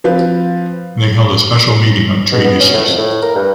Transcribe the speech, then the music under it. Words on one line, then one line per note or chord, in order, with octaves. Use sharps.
They held a special meeting on trade issues.
F3 C4 B4 F5
B2
B3
C#4
A2
F2
A2
A#4
G2